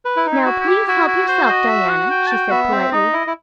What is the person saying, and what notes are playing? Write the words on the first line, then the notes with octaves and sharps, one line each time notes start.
"Now, please help yourself, Diana," she said politely.
B4
E4
D#4
E4
F#4
E4
G4
E4 F#4
E4
C5
C5
D#5
E5
F#5
G5
A5
G5
B3 E5
C4
D#4 D#5
E4
E4